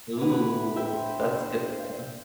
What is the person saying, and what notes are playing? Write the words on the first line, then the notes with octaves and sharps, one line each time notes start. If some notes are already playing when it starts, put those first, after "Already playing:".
Ooh, that's good one.
E4 B4 F#5
D4 C5 E5 G5